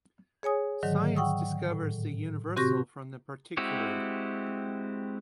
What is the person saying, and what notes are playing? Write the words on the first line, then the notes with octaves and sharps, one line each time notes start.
Science discovers the universal from the particular.
G#4 C#5 G#5 D#6
G#2 D3 D#3 F#3
F#5 G5 C#6 D#6 E6
A2
C3 C4 F#4 G4 C#6 A#6
G#3 C4 E4 F#4 G4